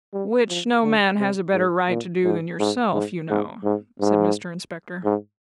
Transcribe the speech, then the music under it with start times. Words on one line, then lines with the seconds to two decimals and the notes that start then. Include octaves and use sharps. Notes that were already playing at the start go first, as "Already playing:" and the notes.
'Which no man has a better right to do than yourself, you know,' said Mr Inspector.
0.14 G3
0.49 F3
0.83 D3
1.19 C3
1.53 G#2
1.89 A#2
2.24 G#2
2.60 G#2
2.94 G#2
3.30 G#2
3.64 G#2
4.00 G#2
5.05 G#2